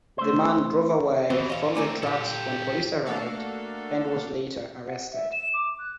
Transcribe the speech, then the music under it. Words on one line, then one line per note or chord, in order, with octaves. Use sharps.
The man drove away from the tracks when police arrived and was later arrested.
A3 C5
D#2 E3 B3 C4 F#4
E3 C#5 D#5 F5
A3 C4 D5 G#5 A#5
A#2 D3 G4 A4
A3 A#3 D4 F#4 A4 F5
F#5
E5
E7
D6
F#6